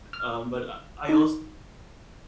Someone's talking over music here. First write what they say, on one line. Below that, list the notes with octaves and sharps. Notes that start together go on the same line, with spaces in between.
um, but, uh, I als
F6
D#4